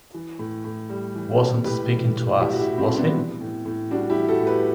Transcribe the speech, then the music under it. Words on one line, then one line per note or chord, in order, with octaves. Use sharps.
Wasn't speaking to us, was he?
E3
A2
A2
G3
E3
A2
A2 G4 B4
G3
E3
A2 E4 G4
F#4
E4 G4
A2
C4 E4
G3
B3 D4
E3
A2
A2
G3 D4 F#4
E4 G4
E3
F#4 A4
A2
G4 B4